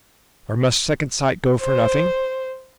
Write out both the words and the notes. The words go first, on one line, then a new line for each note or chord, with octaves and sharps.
Or must second-sight go for nothing?'
C5